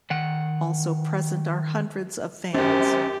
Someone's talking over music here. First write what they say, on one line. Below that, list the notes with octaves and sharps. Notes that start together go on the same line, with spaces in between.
Also present are hundreds of fans.
D#3 F#5
G#1 F#2 C#4 G4 C5